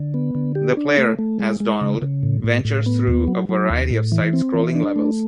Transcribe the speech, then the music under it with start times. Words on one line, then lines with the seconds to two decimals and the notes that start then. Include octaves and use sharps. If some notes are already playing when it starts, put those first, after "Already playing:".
The player, as Donald, ventures through a variety of side-scrolling levels.
Already playing: D3
0.14 B3
0.35 D3
0.55 G4
0.77 D4
0.98 A3
1.19 A3
1.39 G#3
1.60 G#3
1.81 C#3
2.02 C#3
2.23 A2
2.44 A2
2.65 A2
2.86 B3
3.08 D#2
3.28 F#3
3.49 F#3
3.70 D#2
3.91 A2
4.12 E3
4.33 C4
4.54 E3
4.75 D4
4.96 A3